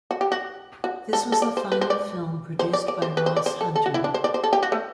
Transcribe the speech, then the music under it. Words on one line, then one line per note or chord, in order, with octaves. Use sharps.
This was the final film produced by Ross Hunter.
F#4
G4
F#4
F#4
A4
A4
D5
C5
B4
C5
D5
C5
D5
D5
C5
B4
C5
D5
C5
A4
A4
F#4
E4
D4
C5
D5
C5
A4
G4
F#4
A3